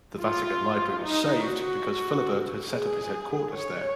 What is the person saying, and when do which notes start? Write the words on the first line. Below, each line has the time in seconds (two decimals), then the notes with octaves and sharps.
The Vatican Library was saved because Philibert had set up his headquarters there.
0.20 F4
1.03 D#4
1.46 F#4
2.71 G#4
3.54 C#5